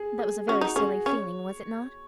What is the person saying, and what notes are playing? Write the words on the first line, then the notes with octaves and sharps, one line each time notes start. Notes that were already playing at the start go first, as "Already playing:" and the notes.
That was a very silly feeling, was it not?
Already playing: G#4
G#4
C#4 F#4
D#4
C#4 G#4
C#4 C#5